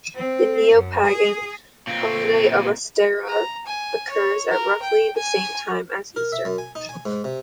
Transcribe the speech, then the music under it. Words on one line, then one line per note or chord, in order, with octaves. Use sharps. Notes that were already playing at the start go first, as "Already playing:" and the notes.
The Neo-Pagan holiday of Ostara occurs at roughly the same time as Easter.
C4
F#2
G#4
A#2 C4
A#5
G#5
C#5
A#4
G5
G#5
A#4
E5
F#2
G#5
D#4
G#5
G#2
C3